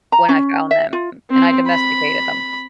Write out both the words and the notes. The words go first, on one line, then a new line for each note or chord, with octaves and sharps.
when I found them and I domesticated them.
A#5
C#4
E5
F4
C4
B5